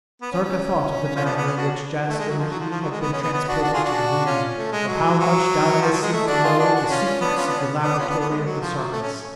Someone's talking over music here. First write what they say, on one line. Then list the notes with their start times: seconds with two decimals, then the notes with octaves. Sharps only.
Sarka thought of the manner in which Jaska and he had been transported to the Moon; of how much Dalis seemed to know of the secrets of the laboratory of the Sarkas.
0.22 B3
0.32 C#4
0.43 C#4
1.15 C#4 F4
1.25 B3 D4
1.35 B3
1.46 C#4
1.56 D4 F#4
2.09 A3
2.18 G#3
2.29 F#3
2.39 F3
2.50 F#3
2.60 F3
2.70 F3
2.81 F#3
2.91 G#3
3.01 B3
3.12 C#4
3.22 B3
3.33 B3
3.48 D4 F#4
3.63 D4 F#4
3.74 F4 G#4
3.84 D4 F#4
4.25 C#4 F4
4.56 A3
4.72 G#3
4.87 F#3
5.19 F#3
5.81 F3
5.91 F#3
6.01 G#3
6.12 A3
6.27 D4 F#4
6.43 F4 G#4
6.58 D4 F#4
6.74 D4 F#4
6.89 C#4 F4
7.05 C#4
7.20 B3 D4
7.37 C#4 F4
7.46 B3 D4
7.57 C#4
7.83 B3 D4
7.93 D4
7.98 C#4 F4
8.08 B3 D4
8.19 B3
8.30 G#3
8.45 F#3
8.61 F3
8.76 F#3
8.92 A3
9.01 C#4